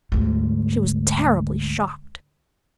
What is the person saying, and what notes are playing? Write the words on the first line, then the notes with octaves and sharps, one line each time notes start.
She was terribly shocked.
D2 G#2